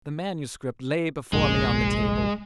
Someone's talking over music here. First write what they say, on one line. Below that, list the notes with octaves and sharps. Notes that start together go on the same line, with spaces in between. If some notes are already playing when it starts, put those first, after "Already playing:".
The manuscript lay before me on the table.
F1 A#1 G#3